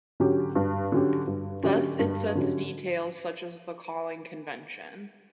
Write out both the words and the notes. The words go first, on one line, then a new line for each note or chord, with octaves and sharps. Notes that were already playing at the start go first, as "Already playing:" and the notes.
Thus it sets details such as the calling convention.
D3 F#3 C#4 G4
G2
D3 F#3 C#4 G4
G2
D3 F#3 C#4 G4
G2
D3 F#3 C#4 G4